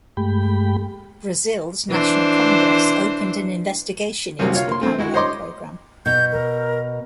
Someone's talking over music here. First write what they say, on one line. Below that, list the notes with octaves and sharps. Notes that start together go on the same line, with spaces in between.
Brazil's National Congress opened an investigation into the Parallel Program.
G2 G#3 A3 G4 G5 B5
E3 D4 C5
C2 C3 F#3 A#3
F4 C#5 F5
A#3 C6
A3 C4
G#3 E4 F#4
C5 C#5 D#5 C6 D6
B2 G6
A#4